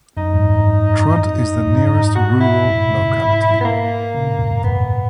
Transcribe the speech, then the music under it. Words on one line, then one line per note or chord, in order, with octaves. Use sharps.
Trud is the nearest rural locality.
F#2 D#4
E2 G#2
F#2
G#2
F#2
D#4
F#2
E2 G#2
F#4
E4
F#2 A#2
G#2 B2
A#2 C#3
G#2 B2
B3
A#3
A#2 C#3
G#2 B2
E2 G#2
F#2
E2 G#2 B3
F#2 A#2